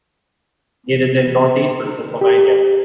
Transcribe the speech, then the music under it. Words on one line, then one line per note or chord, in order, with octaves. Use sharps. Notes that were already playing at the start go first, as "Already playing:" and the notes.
It is in northeastern Pennsylvania.
G4